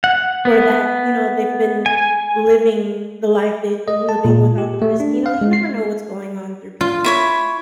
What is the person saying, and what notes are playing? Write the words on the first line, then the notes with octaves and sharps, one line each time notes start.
or that, you know, they've been living the life they've been living without the person you know, you never know what's going on through people's minds,
F#5
B3
G#5
D#5
A5
A#2
G4
A3
D4
F5
G#3
C7
F4
E4 C#5 B5